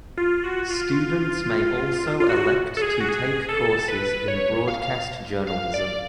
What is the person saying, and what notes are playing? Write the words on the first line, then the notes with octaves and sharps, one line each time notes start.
Students may also elect to take courses in Broadcast Journalism.
F4
F#4
F4
F4
F#4
A4
G#4
F#4
G#4
A4
B4
C#5
F5
F5
F5
D5